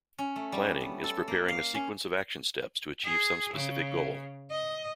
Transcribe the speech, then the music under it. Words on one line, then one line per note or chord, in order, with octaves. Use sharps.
Planning is preparing a sequence of action steps to achieve some specific goal.
C#4
A3
G3
B3
A4
A#3
F5
C#4
G#4
C#3
D#5